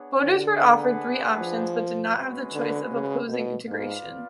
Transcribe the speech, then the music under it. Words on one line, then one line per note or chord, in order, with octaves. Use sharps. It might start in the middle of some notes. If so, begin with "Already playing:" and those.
Voters were offered three options, but did not have the choice of opposing integration.
Already playing: B3 D4 G#4 C#5 F#5
D3
D4 G#4 B4 F#5
F3
G#3 C#4 F#4 B4
D3
C#3
B2
G#2 F4 B4 D5 F5